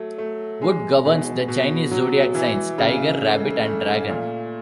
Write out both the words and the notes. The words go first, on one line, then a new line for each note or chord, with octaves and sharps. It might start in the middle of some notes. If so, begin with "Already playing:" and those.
Wood governs the Chinese zodiac signs Tiger, Rabbit and Dragon.
Already playing: F#3 A3
A3
G#3
B2
B2
F#3
E3
C#3
A3
A3
A#2